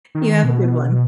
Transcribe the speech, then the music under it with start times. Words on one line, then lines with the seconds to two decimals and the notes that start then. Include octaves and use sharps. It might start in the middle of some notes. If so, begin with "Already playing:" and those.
You have a good one.
0.15 D#3
0.44 B2